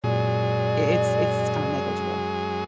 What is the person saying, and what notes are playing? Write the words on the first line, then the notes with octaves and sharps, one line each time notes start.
i it's it's kinda negligible.
F#2 A#2 G#3 G#4 D5